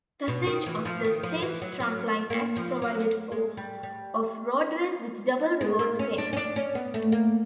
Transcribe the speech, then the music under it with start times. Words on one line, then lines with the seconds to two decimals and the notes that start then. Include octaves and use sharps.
Passage of the "State Trunkline Act" provided for of roadways with double rewards payments.
0.28 B2
0.47 D#3
0.66 E3
0.85 F3
1.05 D#3
1.23 F3
1.42 E3
1.62 F#3
1.80 F#3
2.30 A#3
2.57 F3
2.82 F#3
3.32 G#3
3.57 G3
3.83 G3
5.61 G#3
5.79 A#3
5.99 C#4
6.18 D4
6.33 C#4
6.37 D4
6.56 C#4
6.75 B3
6.94 A3
7.12 A#3